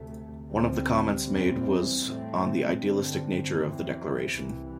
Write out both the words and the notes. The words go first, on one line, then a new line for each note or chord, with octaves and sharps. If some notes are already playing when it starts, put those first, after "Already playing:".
One of the comments made was on the idealistic nature of the Declaration.
Already playing: D2 C3 A3
D2 C3 G3 C4
E2 E3 G3 C4
A2 A3 C4
G2 D3 C4
E2 E3 C4
C2 C3 E3